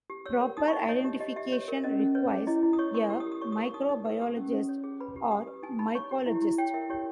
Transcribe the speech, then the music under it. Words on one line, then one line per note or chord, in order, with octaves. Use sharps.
Proper identification requires a microbiologist or mycologist.
G4
C#5 E6
A#4
D#4 D#6
C#6
D#4
E5
C#5 D#5
G4
G4 D#5
G4 E5
C#5
A#4
C#4 D#5
C#4
B4 C#5
G#4
E4 D#5
E4
D#6
C#5 C#6
A#4 C#6
G4 E6
D#6
G4
D#6
C#5 C#6
D#6
A#4
C#6
D#4 D#6
D#4
B4 E6
G4 D#6
C#4
C#4
C#5
G#4
B4 B5
G4
G4 D#6
B4
D#4 G#5
D#4 B5
C#5 C#6
G4
E4 E5
E4
C#5 G5
A#4 E5
G4 C#5